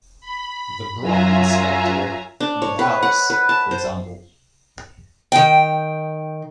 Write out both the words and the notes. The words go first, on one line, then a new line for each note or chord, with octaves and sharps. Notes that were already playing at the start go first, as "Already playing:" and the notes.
The Brocken Specter in the Alps, for example.
B5
F#2 F#3 F4 E5 G#5 A#5
D4
C#5
B4
F#5
B4
A5
C5
D#3 G5